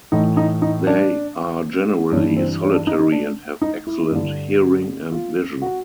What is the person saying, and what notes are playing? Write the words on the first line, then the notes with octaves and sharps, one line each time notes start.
They are generally solitary and have excellent hearing and vision.
A2 E3 D#4
D#4
D#4
D4
G2 E3 C#4
C4
C#4
D4
D#4
D#4
D4
D#4
E4
G2 D3
F4
F#4